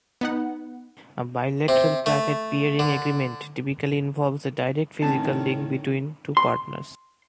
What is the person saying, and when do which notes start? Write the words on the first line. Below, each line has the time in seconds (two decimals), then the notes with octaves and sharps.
A bilateral private peering agreement typically involves a direct physical link between two partners.
0.21 B3 D#4 F#5
1.68 C3
2.06 A3
2.79 D3
5.02 A2 D3 D#3 C4 C#4 A5
6.37 C6